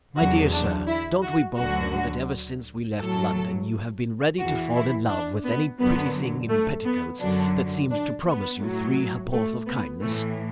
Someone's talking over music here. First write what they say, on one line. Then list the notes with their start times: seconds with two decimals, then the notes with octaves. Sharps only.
My dear sir, don't we both know that ever since we left London you have been ready to fall in love with any pretty thing in petticoats that seemed to promise you three ha'porth of kindness.
0.16 E2 D3 F#3 F#4
0.52 D4
0.87 E4
1.22 F#4
1.57 D2 D3 F#3 F#4
2.98 A2 F#3 A4
4.38 E2 E3 F#4
4.74 E4
5.09 D4
5.44 B3
5.79 F#2 D3 F#3 B3
6.49 A3
6.85 B3
7.19 F#2 D3 F#3 D4
7.90 D4
8.25 B3
8.61 A2 F#3
9.31 A3
9.66 B3
10.01 A2 E3 A3